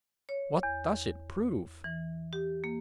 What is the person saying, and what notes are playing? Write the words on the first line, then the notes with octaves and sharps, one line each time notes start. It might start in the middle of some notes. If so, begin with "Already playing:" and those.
"What does it prove?"
C#5
E2
E3
G4
A#3